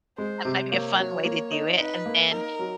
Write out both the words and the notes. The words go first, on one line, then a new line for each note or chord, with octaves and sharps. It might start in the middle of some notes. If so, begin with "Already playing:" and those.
that might be a fun way to do it. And then,
G#3 C5
C3
A#3 C#5
F#3
A#3
D#4
D#4 B4
A#3
D#4 A#4
F#3